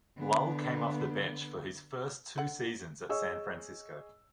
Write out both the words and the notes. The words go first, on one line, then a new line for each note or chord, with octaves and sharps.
Lull came off the bench for his first two seasons at San Francisco.
D3 B3
D3 F#5
G#4 C#5 D#5 C#6 E6